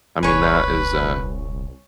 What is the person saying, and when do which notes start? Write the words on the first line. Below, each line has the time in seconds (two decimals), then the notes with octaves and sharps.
I mean that is a
0.23 D#1 C2 B4 C#5 G#5